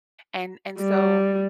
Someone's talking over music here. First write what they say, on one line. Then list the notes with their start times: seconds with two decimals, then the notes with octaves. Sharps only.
And and so
0.79 G3